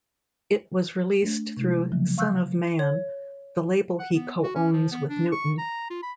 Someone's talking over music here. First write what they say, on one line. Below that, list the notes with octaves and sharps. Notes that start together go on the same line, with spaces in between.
It was released through Son Of Man, the label he co-owns with Newton.
A3 D4
C3 G#3 E4
C#3 F3 F#3 A3 A#3
F5 C#6 E6 F#6 G6
C#5
F#5
B3
F#4
C#4
F3
B3
D4
C#6
A#5
F4
B5